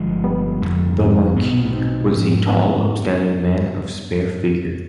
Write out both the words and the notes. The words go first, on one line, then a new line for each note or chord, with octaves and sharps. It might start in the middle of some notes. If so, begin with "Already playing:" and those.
The Marquis was a tall, upstanding man of spare figure.
Already playing: G1 G2 F3 G#3
G3 B3
F1 F2 D3
G#3 C4
B1 B2 B3
C4 D#4
G#2 F3 C4
B3 D4